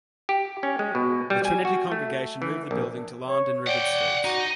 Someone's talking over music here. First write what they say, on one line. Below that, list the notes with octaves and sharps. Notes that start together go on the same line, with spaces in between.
The Trinity congregation moved the building to Larned and Rivard streets.
G4
C#4
G#3
B2
G3
G#5
F#4
A3
E3
A#1
C#5
D5 F#5 G5
D#4 F#4